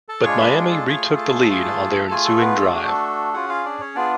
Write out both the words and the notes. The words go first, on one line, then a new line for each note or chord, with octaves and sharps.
But Miami retook the lead on their ensuing drive.
A4 A5
G#3 D4 F4 G#4 C#5 C#6
B4 B5
A4 A5
A3 F4 G#4 C#5 C#6
A4 A5
A3 F4 G#4
A3 F4 G#4 G#5
A4
B3 B4
A4
A3 D4 F#4 G#4
A4
C#4 F4 F#4 G#4 F#5
F4 F5
D4 D5
C#4 C#5
B3 D4 F4 G#4 D5